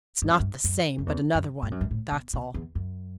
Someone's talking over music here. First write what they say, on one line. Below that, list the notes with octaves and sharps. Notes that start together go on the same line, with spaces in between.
"It's not the same but another one; that's all."
G2
F#2
G2
F#2
F#2
E2
F#2
G2
F#2
G2
A2
B2
B2
E2
F#2